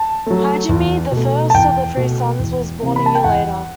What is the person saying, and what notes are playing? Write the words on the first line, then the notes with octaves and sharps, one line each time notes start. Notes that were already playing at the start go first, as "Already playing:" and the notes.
Hajime, the first of their three sons, was born a year later.
Already playing: A5
F#3 A3
E2
B2 A3
A5
E2 G5
B2 A3
E2
C3 E3
B5
A5
G5
E2 F#5